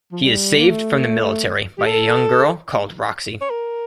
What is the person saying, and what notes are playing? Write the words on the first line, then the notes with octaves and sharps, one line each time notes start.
He is saved from the military by a young girl called Roxy.
F3
G3
A#3
A3
G4
A4
C#5
A#4